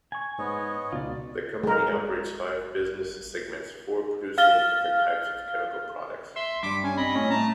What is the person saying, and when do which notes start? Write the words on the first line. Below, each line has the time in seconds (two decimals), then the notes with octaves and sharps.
The company operates five business segments, four producing different types of chemical products.
0.12 G#5 C#6
0.39 G#2 B3 C#5 D#5
0.93 C#2 B2 D#4 F4 D5
1.64 G#3 A#4
4.38 F5 F6 A6 G7
6.36 E5 C6
6.63 G2 G3 D6 B6
6.84 C#4 G#5
6.97 C4 D#5 B5
7.15 A2 C#4
7.30 A3 A5 A#5